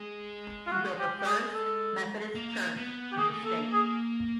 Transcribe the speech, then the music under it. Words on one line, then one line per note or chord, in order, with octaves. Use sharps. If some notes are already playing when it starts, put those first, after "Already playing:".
He built the first Methodist church in the state.
Already playing: G#3
F4
F#4
G4
G4
G#4
A4
A#3
B3
G4
A#3 G#4
A3
A#3 A4
G#4